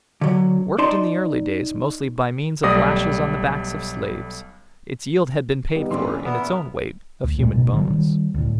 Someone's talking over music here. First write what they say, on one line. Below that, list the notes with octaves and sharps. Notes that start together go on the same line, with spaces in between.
Worked in the early days mostly by means of lashes on the backs of slaves, its yield had been paid for in its own weight of human bones.
D3 F#3
D#4 D5 A5 C6
B1 G3 A3 D5 D#6 A#6
G3 B3 D#4
A#1 E3 C#4 D4 G4 C6
B3 A#4 E5
D2
F2 A#2 C#3 G#3
A1 B2 A#3
D3 F#3
D#3 G3
D2 A2